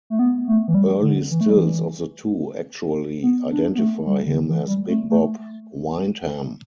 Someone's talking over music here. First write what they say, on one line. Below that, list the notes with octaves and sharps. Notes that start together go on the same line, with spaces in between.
Early stills of the two actually identify him as Big Bob Windham.
A3
B3
A3
E3
G3
D3
E3
A3
G3
E3
B3
D4
B3
A3
G3
D3
E3
G3
A3
A3